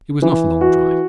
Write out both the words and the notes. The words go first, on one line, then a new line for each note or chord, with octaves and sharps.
It was not a long drive.
E3
F#4